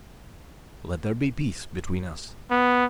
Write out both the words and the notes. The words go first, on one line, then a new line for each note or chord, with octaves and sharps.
Let there be peace between us.'
B3